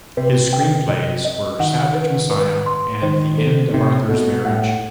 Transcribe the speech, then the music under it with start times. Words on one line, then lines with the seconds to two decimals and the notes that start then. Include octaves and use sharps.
His screenplays were "Savage Messiah" and "The End of Arthur's Marriage".
0.17 C3 B4
0.53 G5
0.88 D#5
1.25 D#5
1.59 D#3 F#5
1.95 B4
2.31 B4
2.66 C6
3.02 D#3 C5
3.38 A4
3.73 C3 D#4
4.09 B2 A4
4.45 A2 F#5